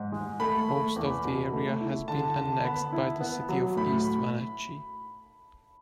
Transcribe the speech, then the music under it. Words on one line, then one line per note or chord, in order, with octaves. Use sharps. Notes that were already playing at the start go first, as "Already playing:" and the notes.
Most of the area has been annexed by the city of East Wenatchee.
Already playing: G#2
G#3
A3 B5
A3
E2
B2
A3
E4
D3 A5
D3 A5
B3 B5
E4
B3
F#3
A2 B5